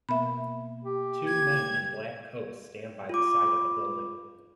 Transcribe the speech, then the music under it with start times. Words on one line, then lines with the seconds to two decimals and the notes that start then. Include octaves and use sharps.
Two men in black coats stand by the side of a building.
0.09 B2 A#3 E5 B5
0.85 G4
1.27 G#6
3.09 F4 D6